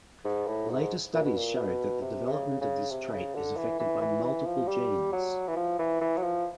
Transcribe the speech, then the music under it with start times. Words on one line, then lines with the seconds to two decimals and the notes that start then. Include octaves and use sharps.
Later studies showed that the development of this trait is affected by multiple genes.
0.25 G#2
0.47 A2
0.70 G#2
1.14 A#2
1.25 B2
1.37 A#2
1.58 B2
2.02 C3
2.27 C3
2.32 C#3
2.61 C#3
2.90 C3
3.13 C#3
3.35 D3
3.57 E3
3.80 E3
4.01 E3
4.24 E3
4.46 F3
4.68 G3
5.13 F#3
5.48 E3
5.57 F3
5.79 E3
6.01 E3
6.17 F#3
6.23 F3